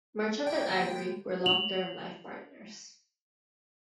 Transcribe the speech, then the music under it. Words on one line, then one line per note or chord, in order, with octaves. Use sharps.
Merchant and Ivory were long-term life partners.
C#4 D4 E4 G5
D#2
F7 F#7